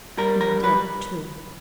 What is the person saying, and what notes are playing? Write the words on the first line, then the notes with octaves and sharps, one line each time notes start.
And dead too.
G3 A#4
A#4
G2
B4